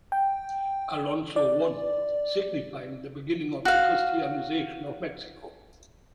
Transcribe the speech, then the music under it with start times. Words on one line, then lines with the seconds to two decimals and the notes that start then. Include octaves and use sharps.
Alonso won, signifying the beginning of the Christianization of Mexico.
0.12 G5
1.36 D5
3.65 F#4 F5